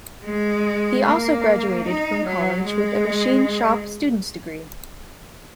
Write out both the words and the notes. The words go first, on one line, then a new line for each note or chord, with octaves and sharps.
He also graduated from college with a machine shop student's degree.
G#3
A#3
D#4
F#3
G#3